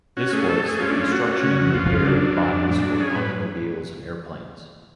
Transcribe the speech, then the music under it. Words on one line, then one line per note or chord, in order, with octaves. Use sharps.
This was: "the construction and repair of bodies for automobiles and airplanes".
C#4 F#4
A3 G#4
G#4
A3 A4
A3 G#4
C#4 F4
D4
A3
F4
A3 F#4
C#4
C#3
F2
F2 F4
C#3
F#3 D4
F#3
F4
F2 D4
F2
A2
F#3
C#4 G#4
A2 B4